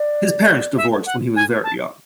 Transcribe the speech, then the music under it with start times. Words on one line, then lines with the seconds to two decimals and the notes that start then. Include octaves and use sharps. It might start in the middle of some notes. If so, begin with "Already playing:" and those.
His parents divorced when he was very young.
Already playing: D5
0.77 E5
1.06 F#5
1.36 G#5
1.64 A5